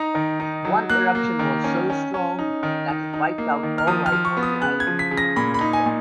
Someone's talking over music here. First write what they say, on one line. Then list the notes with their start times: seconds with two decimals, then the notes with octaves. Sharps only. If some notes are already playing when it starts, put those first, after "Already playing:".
One eruption was so strong that it wiped out all life on the island.
Already playing: D#4 A#5
0.15 D#3
0.40 D#4
0.65 F#3
0.90 A#3 F#6
1.15 A#3
1.39 D#3
1.64 C#4
1.90 C#4
2.14 C#4
2.39 D#4
2.63 D#3
2.88 D#4
3.14 D#4
3.38 A#3
3.63 D#3
3.78 F6
3.87 F3 D#6
4.06 F6
4.12 F3
4.25 C#6
4.37 B3
4.43 D#6
4.62 C#3 F#6
4.80 G#6
4.87 F3
4.99 B6
5.11 C#3
5.18 A#6
5.36 A#2 B5
5.54 B5
5.61 D#4
5.73 G#5
5.86 A#2